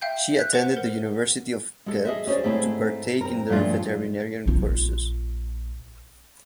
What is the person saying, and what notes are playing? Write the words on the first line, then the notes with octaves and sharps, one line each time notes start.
She attended the University of Guelph to partake in their veterinarian courses.
E5 F5 G5 G6
F#6 G6 B6
B4 C5 F#5
A#4
G#3 A4
G#4 D#5 E5
C#4 G#4 C5 D5
G#2 A3 C4 E4 G#4
C4 A#4
G2 A#2 F3 A3 D4 F4
A#1 F4